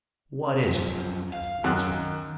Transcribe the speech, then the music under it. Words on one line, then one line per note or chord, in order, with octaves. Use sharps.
"What is it?" asked the Lizard.
F#2 F3
F5
F#2 D#3 F#6